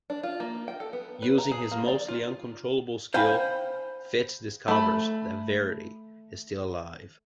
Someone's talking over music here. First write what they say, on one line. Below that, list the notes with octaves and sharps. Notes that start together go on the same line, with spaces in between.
Using his mostly uncontrollable Skill, Fitz discovers that Verity is still alive.
D4
F4
A#3
G5
A4
B3
B4
A#5
G#4
A#3
D5
F4
C5 F5 G5 G#5 B5
A3 B5